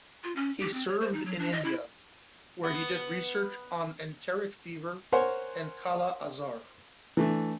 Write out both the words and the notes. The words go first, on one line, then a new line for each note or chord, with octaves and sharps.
He served in India, where he did research on enteric fever and kala-azar.
F4
C#4
G4
C4
C#5
C5
D#4
F#3
D4
D#5
E4
B3
A#4 C5 C#5 F#5 G#5
E3 A3 D4